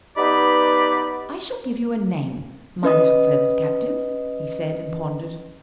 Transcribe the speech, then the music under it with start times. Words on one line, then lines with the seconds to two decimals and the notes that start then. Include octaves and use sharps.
"I shall give you a name, my little feathered captive," he said, and pondered.
0.17 B3 D#4 G4 B4 D5 B5
2.83 C#4 B4 D#5 D#6